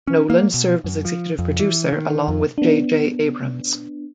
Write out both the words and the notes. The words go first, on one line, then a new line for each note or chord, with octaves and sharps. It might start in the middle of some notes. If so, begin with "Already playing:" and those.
Nolan served as executive producer along with J. J. Abrams.
C#4
A#3
B2
F#2
F3
F2
E3
D#3
F2
B3 D4